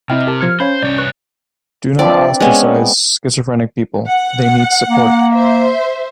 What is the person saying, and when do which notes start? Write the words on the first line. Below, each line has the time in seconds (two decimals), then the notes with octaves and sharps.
Do not ostracize schizophrenic people, they need support.
0.10 C3 C4 E4 D#5 E5 G5 F6
0.27 G4 A#4 A5 F6
0.41 F3 F6 G#6 C#7
0.60 C#4 C5 C#5 F5 B5 G6
0.83 C2 C#5 D5
0.98 B4 C#6 F#6
1.99 F3 C4 D4 B4 D5
2.40 G#3 B3 C#4
4.07 F#5
4.89 A#3
5.32 C5 E5